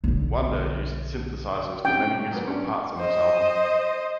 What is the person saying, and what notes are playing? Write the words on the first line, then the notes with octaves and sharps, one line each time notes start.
Wonder used synthesizers for many musical parts on this album.
B1 D3
C3 D#3 C#4 G5
F#3 A#3 B3
C#4 D4
C5 D#5